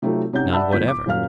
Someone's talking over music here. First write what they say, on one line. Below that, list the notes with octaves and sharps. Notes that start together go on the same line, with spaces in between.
None whatever.
C3 F#3 A3 C4 D#4 F4
C3 C#4 D#4 F#5 G6
D5 E5 F#5 A5 B5 E6
G1 F2 A2 B3 G6 B6
D6
D#1 F#2 F5 F6